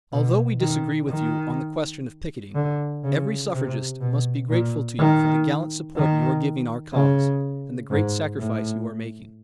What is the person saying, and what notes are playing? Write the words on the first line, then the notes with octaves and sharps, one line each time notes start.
"Although we disagree with you on the question of picketing every suffragist must be grateful to you for the gallant support you are giving our cause and the great sacrifice you are making."
B2
D#3
D#3
D3
C#3
C3
B2
A#2
D#3
D#3
C#3
G#2
A2